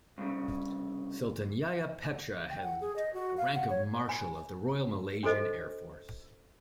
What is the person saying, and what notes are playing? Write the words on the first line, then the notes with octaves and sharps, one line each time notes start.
Sultan Yahya Petra held the rank of Marshal of the Royal Malaysian Air Force.
C2 G2 A#2 C#3
G5
F#5
G#4
D#5
F#4
F5
F#5
C#5
G#5 B5
D4 F#4 G4 A4 C5 D#5